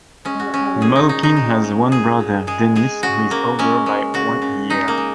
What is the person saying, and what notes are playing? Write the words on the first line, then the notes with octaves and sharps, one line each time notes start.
Malkin has one brother, Denis, who is older by one year.
G#3 C#4
F#4
G#3 C#4
A#2 G#4
D#4
A#2 D#4
D#4
G#3
G#3
A#2 G#4
A#2
G#3 G#4
G#3 G#4
C#3 F#4
C#3 A#3
G#3 C#4
G#3
C#3 F#4
C#3
G#3 D#4
A#3
G#3